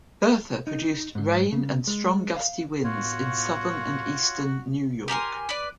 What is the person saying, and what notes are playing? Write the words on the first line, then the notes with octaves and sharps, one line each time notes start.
Bertha produced rain and strong gusty winds in southern and eastern New York.
D#4
G#2
C#3
G#3
F5
A2 B3 F4 F#4 C#5
G4 A#4 G#5 C6
B4 D5